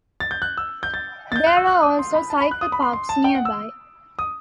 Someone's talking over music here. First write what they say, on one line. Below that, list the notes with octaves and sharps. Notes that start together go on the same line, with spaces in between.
There are also cycle parks nearby.
A6
G6
F#6
E6
G6
A6
A6
G6
F#6
E6
F#6
D#6
C6
B5
A5
B5
F#6
D#6
B5
C6
C6
A5
G5
F#5
E6
D#6